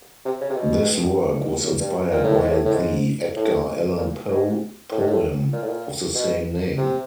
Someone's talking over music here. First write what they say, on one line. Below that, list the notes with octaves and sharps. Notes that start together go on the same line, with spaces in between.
This work was inspired by the Edgar Allan Poe poem of the same name.
C3
C#3
C3
B2
F#2
G2
A#2
A2
G#2
A2
A2
G#2
A2
A#2
G#2
A2
G#2
A2
A#2
A2
A#2
B2
C3